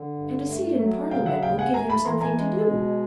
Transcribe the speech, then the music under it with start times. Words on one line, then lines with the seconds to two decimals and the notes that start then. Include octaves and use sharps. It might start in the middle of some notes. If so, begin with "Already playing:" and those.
"And a seat in Parliament will give him something to do."
Already playing: D3
0.16 G2
0.48 A3
0.80 F#3
1.11 C#3 F5 G5
1.26 E5 F#5
1.42 D#2 F5 G5
1.58 F#5 G#5
1.74 A3 G#5 A#5
1.89 A5 B5
2.05 E3 A#5 C6
2.21 G#5 A#5
2.37 G#3
2.68 B2